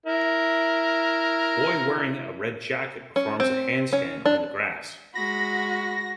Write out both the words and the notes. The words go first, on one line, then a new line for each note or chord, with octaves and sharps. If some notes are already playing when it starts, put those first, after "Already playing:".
Boy wearing a red jacket performs a handstand on the grass.
E4 A#4
C#4
C4
C#4
D4
G#3 F#4 B5 A#6